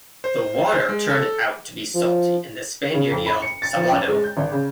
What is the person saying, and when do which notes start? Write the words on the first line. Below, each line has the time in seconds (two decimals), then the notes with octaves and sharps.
The water turned out to be salty and the Spaniard yelled salado!
0.24 C5
0.72 C5
0.89 G#3
1.10 A4
1.95 F3
2.94 C#3
3.12 F2
3.26 B5
3.42 C#7
3.62 A6
3.75 F3
3.91 F#2
4.08 G#3
4.24 G6
4.37 G#1
4.52 C#3